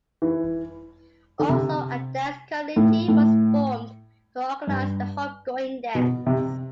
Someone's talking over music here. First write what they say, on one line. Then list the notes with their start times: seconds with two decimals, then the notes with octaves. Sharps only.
Also, a dance committee was formed to organize the Homegoing Dance.
0.22 E3
1.39 D3
1.49 C3
2.76 A2
3.08 A2
4.67 G2
5.95 B2
6.26 C3